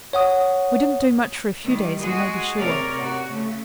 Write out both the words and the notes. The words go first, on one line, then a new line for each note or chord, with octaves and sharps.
We didn't do much for a few days, you may be sure.
C#5 F#5 D#6
D#3 G3
G#3 F#4 G#4
C3 A#4 C#5 D5
F#4
C#3 A3